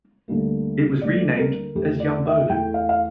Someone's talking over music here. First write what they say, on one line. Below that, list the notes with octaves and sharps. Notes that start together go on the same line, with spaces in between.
It was renamed as "Yanbolu".
D2 D3 G3 A#3
D2 D3 G3 A#3 D5
A#4
E2 E3 A3 G4
D5
E5
E2 E3 A3 G5
F5
F5